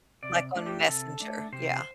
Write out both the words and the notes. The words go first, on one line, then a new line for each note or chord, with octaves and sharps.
Like, on Messenger. Yeah.
C3 D5
A3 D4
G4
C3 A4
A3 D4
C3 C5